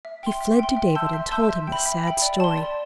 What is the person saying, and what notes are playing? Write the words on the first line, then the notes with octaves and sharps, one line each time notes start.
He fled to David and told him the sad story.
E5
G5 C6
E5
G5 C6
E5
A5 C6 E6 G6
E5
A5 C6 E6 G6
E5
G5 B5
E5
G5 B5
D5
A5 C6
D5